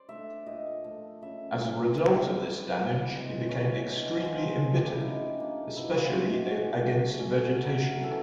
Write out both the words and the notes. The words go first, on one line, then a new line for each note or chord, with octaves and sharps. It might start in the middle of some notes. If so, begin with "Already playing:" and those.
As a result of this damage, he became extremely embittered, especially against vegetation.
Already playing: C5 D5
A3 D4 E5
A#2 D#5
F3 A3
C#3 E5
E3 G3
D#3 D5
G3 C4
E3
G#3 C4
E3 C#5
G#3 B3 D4
F3 C5
G#4
A3 C#4
G4
E4
F3 D#4
A#3 D4
B2 E4
F4
G#3 C4 F#4
G4
E3 F#4
A3 D4 G#4
D3 A4
F#3 A3 C#4 A#4
E3 A4